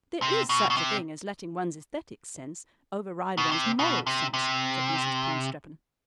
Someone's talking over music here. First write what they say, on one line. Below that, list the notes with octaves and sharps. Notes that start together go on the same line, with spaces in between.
"There is such a thing as letting one's aesthetic sense override one's moral sense," said Mrs. Panstreppon.
C3
B2
B2
C3
B2
C3
B2
C3
C3